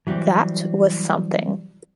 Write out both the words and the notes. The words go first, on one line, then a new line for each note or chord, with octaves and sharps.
That was something.
E3 F#3 G3 C4